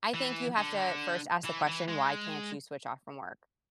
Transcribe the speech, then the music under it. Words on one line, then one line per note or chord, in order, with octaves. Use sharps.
I think you have to first ask the question, "Why can't you switch off from work?"
E3
D3
E3
E3
G#3